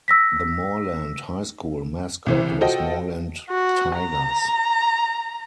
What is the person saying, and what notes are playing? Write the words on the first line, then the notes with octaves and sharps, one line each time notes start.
The Morland High School mascot was Morland Tigers.
E6 A#6 B6
C2 E3 C5
F4 F#4 A4 C5 D#5 G5
F#4
A#5